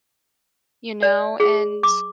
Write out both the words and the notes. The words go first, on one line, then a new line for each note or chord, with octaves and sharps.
you know, and
D5
G#4
D6